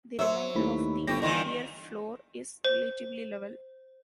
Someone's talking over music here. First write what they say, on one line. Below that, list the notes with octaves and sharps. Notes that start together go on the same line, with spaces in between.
The remainder of the interior floor is relatively level.
F#3 C5 E5
D#2 A3 E4 B5
G1 A2 G4 A#6
A#2 D#3 E3
C5